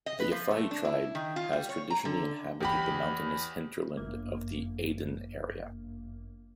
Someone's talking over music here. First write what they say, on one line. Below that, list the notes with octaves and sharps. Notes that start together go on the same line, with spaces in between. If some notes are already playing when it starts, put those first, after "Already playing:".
The Yafa'i tribe has traditionally inhabited the mountainous hinterland of the Aden area.
D#5
B4
F3
A3
D4
E4
D#3
F4
G3
C#5
A#5
D3
E2 G4 B5
G1 F#2 A#3